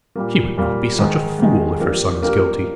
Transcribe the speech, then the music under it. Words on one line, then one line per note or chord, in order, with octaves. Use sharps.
"She would not be such a fool, if her son is guilty."
A#2 G3 A#3
A#2 G3 A#3
G#2 D#3 G#3
G#2 D#3 G#3
F3 A#3 D4 G4 A#4
F3 A#3 D4 G4 A#4